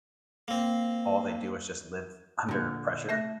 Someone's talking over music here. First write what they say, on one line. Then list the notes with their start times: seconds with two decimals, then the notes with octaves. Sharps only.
all they do is just live under pressure?
0.48 A#3 C4
2.49 A#2 D3
3.09 A3 E5 A#6